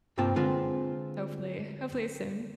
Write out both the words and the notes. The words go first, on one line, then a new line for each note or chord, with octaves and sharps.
hopefully, hopefully soon.
C2 G2 A#3 C4 F4 A5
D3 G#3 C4 F4 B4